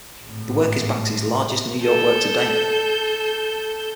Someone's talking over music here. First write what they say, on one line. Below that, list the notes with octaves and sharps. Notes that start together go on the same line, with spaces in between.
The work is Banksy's largest New York work to date.
G#1 A2
A4 G6